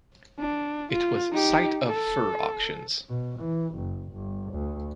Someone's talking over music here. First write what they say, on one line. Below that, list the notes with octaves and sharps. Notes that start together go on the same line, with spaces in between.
It was site of fur auctions.
D4
F4
D#4 G4
A4
B2
E3
F#1
G1
D2